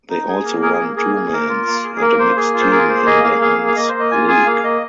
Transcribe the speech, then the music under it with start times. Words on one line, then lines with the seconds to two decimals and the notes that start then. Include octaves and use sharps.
They also run two men's and a mixed team in the Hunts league.
0.10 D#4
0.28 G#4
0.44 A#3
0.62 G#4 A#4
0.73 G#4
0.80 A#3
0.96 A#3 G#4
1.15 A#3
1.33 A#3 A#4
1.49 F4
1.67 A#3
1.84 G#4
1.96 G#4
2.01 A#3 A#4
2.19 A#3 C5
2.36 A#3 G#4
2.54 F4
2.61 C5
2.71 G#4 A#4
2.89 A#3 C5
3.06 G#4 D#5
3.24 A#3 F5
3.41 G#4 F5
3.59 A#3
3.67 F5
3.76 A#3 D#5
3.89 A#3 C5
4.00 D#5
4.11 F4 G#5
4.28 G#4 G#5
4.46 A#3 F5
4.64 A#3 D#5